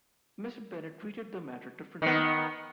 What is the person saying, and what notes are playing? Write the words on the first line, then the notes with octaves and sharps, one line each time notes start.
Mr. Bennet treated the matter differently.
D#3 B3